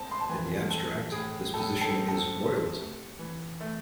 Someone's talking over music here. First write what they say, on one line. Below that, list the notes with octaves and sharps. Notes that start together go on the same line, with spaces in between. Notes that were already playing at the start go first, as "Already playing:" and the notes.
In the abstract, this position is royalism.
Already playing: G#3 C4 A5
C6
A5
E3 G#5
C4 A4
A2 G#4
A2 A4
A4
C4
A4
C3
A3
E3
A3